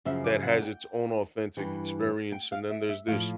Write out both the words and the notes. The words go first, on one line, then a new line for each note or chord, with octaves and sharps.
that has its own authentic experience, and then there's this
F#2 C#3 F3 E5
D5
F#5
G5
G2 E3
G5
F5
E5
E5
A2 F3 F5